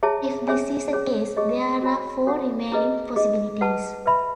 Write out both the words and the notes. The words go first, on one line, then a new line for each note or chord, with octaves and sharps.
If this is the case, there are four remaining possibilities.
E4 G#4 C#5 E5 A5
C#4 G#4 C#5 E5 G#5
C#4 G#4 C#5
G#4 D#5 A5 C#6
F#4 C#5 G#5 B5
D#4 F#4 A4 C#5 F#5
C#4 E4 G#4 B4 D#5
D#4 G#4 D#5
B4 F#5 A5
B4 E5 B5